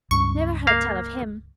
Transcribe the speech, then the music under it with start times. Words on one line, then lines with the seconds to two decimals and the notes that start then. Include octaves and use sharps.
"Never heard tell of him!"
0.11 C#2 G2 C#3 C#6
0.67 A#3 F5